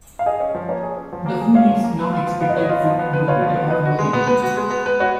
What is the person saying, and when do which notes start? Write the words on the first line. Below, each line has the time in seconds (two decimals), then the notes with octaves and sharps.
The fool is not expected to "know better" or "know" anything.
0.19 F5
0.26 G#4 D#5
0.40 C#4
0.55 F3
0.69 A#3 C#5
0.83 G#4
0.97 C#4
1.13 F3
1.26 A#3
1.41 G#4
1.55 C#4 F5
1.70 F3
1.84 A#3
1.99 B4
2.13 F4
2.27 F3
2.41 B3 F5
2.49 D#5
2.55 B4 C#5
2.63 D#5
2.69 F4
2.85 F3
2.99 B3
3.13 B4
3.28 F4 C#5
3.42 F3
3.56 B3
3.70 B4 D#5
3.85 F#4
3.99 G#3
4.13 B3
4.27 B4
4.43 F#4
4.57 G#3
4.70 B3
4.86 B4
5.00 F#4 C#5